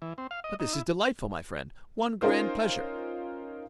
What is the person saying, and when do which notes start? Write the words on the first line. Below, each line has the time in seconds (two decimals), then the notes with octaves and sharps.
But this is delightful, my friend--one grand pleasure!
0.02 E3
0.18 C4
0.31 F5
0.44 D#5
0.60 D#4
0.73 E4
2.22 C#4 D#4 F4 A#4 C5